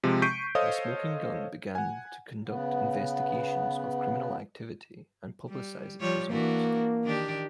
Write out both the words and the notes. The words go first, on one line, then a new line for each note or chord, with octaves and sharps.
The Smoking Gun began to conduct investigations of criminal activity and publicize its results.
C3 F3 G#3
C#6 G6 B6 C7 D7 D#7
A4 C5 C#5 D#5 F5 D#6
F#5 G#5
C#3 B3
G3
F3 G3 C#5
E3 A#3 D4 F#4
D#3 D4 G4